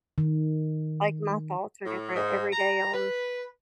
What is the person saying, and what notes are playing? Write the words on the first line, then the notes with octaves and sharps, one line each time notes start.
like, my thoughts are different every day on
D#3
A2
G#2
A#5
B4